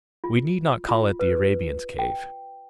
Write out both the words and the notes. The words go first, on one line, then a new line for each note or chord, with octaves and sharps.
We need not call it the Arabian's cave.
F4
F4
B4
G5